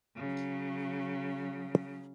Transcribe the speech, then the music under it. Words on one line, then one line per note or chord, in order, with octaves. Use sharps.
She had several fellow Playmates model clothing for her.
C#3 F#3